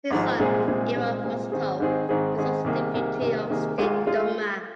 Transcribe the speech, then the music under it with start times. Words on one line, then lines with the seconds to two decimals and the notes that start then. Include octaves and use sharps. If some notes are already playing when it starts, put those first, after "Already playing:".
His son, Ivan Musatov, is also a deputy of the State Duma.
0.11 G#1 G#2 F3
0.39 C2 A#2 G#3 C4 G#4
0.67 C2 A#2 G#3 C4 G#4
0.96 C2 A#2 G#3 C4 G#4
1.23 C2 A#2 G#3 C4 G#4
1.52 G#2 D#3 C4 G#4
1.80 G#2 D#3 C4 G#4
2.09 G#2 D#3 C4 G#4
2.37 G#2 D#3 C4 G#4
2.64 C2 C3 D#3 A#3 G#4
2.94 C2 C3 D#3 A#3 G#4
3.21 C2 C3 D#3 A#3 G#4
3.50 C2 C3 D#3 A#3 G#4
3.78 G#1 G#2 G#3 F4
4.07 G#3 F4